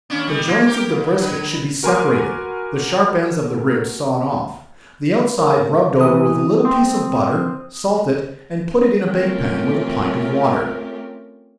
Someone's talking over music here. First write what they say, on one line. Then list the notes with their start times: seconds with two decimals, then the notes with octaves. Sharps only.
The joints of the brisket should be separated, the sharp ends of the ribs sawed off, the outside rubbed over with a little piece of butter--salt it, and put it in a bake pan, with a pint of water.
0.10 D#2 C#4 D4
0.27 D#3 G3
0.47 A#3
0.67 G4 A#4
0.89 D#2
1.20 D3 B4
1.83 F#4 A#4 B4 G#5 C6 D6
5.38 A#4
6.01 E3 D#6
6.65 C4
9.06 A3 C4 C#4 F4 G4 A#4